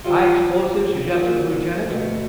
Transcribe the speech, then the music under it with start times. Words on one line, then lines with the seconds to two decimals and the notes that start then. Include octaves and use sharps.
"High explosive?" suggested the lieutenant.
0.04 F3 G3 F4
1.11 A#2 F#3
1.90 D2 B2